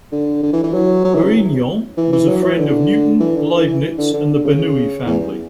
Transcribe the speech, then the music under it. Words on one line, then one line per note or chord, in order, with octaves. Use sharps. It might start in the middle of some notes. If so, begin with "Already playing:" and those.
Varignon was a friend of Newton, Leibniz, and the Bernoulli family.
D3
D3
E3
E3
F#3
F#3
E3
C#3
E3
E3
F#3
E3
D3
E3
D3
E3
E3
D3
D3
D3
C#3
E2